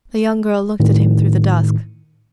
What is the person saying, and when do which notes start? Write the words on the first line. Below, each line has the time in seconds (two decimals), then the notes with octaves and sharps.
The young girl looked at him through the dusk.
0.80 A2 D#3